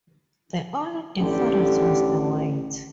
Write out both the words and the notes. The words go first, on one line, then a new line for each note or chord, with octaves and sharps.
The only difference was the weight.
A1 D3 G4